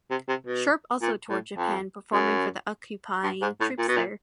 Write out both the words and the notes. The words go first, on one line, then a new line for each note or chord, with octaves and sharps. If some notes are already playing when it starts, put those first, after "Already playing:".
Sharp also toured Japan performing for the occupying troops there.
C3
C3
B2
A#2
A2
F2
F#2
G2
G#2
A2
A#2
B2
A#2